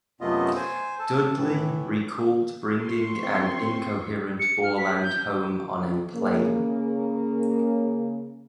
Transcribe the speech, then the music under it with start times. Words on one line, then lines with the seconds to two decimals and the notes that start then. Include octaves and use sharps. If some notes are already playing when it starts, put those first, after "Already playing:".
Dudley recalled bringing an incoherent Borland home on a plane.
0.21 F#2 C3 A3 B3 F4 D#5
0.56 C5 G#5
0.99 A4 A5
1.36 A2 E3
2.82 C6 C#6
3.23 C4
4.40 C#7
4.64 F6
4.77 B6
5.03 G6
6.13 C#3 A#3